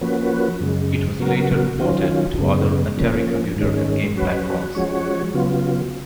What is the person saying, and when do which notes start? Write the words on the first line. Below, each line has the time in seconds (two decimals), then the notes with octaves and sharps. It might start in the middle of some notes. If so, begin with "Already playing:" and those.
It was later ported to other Atari computer and game platforms.
0.01 F3 A#3 C#4 F#4 B4
0.60 F#2 C#3 G#3
1.20 C#3 F#3 B3 F#4 A#4
1.79 D#3 F#3 C#4 F4
2.38 F#2 C#3 G#3 B3
2.97 F3 A#3 C#4
3.56 G#2 D#3 G#3 C#4
4.16 F#3 C#4 F#4 B4
4.75 F3 G#3 C#4 F#4 C#5
5.34 C#3 F#3 B3 F4